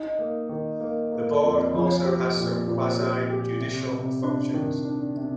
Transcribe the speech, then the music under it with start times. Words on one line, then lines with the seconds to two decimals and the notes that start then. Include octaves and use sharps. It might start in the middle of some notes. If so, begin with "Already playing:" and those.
The board also has some quasi-judicial functions.
Already playing: D#4
0.19 A#3
0.49 D#3
0.80 A#3
1.12 A#3
1.43 F2
1.74 F3
2.05 G4
2.36 A#2
2.67 A#2
2.98 G4
3.30 G4
3.60 C3
3.92 C3
4.23 D4
4.54 D#3
4.85 D4
5.16 C3